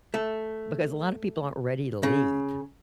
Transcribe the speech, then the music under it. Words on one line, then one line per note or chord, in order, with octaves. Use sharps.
because a lot of people aren't ready to leave,
A3
C#3